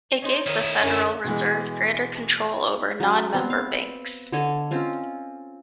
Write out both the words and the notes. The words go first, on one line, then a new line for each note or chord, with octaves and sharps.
It gave the Federal Reserve greater control over non-member banks.
C#4 D#4 C5 C#5
D#3 E4 A#4 D#5
F#2 D3 A#3 C#4
B2 E3 G#3
F#3 C#4
B3 C4
F5
D3 A4 C#5 D#5
C4 C#4 F4